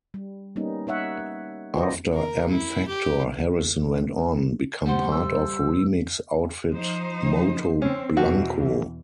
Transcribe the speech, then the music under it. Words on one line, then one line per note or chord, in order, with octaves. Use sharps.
After M Factor, Harrison went on become part of remix outfit Moto Blanco.
G3
G3 A#3 B3 C#4 D#4
D#4 C#5 E5 F#5
F4 F#4 B4 C5 D5 D#5
A#4
E4
G4
G3 C5 F#5
E6
F3 D#4 C5
C4 C#4
E2 B2 E3 F3 F#4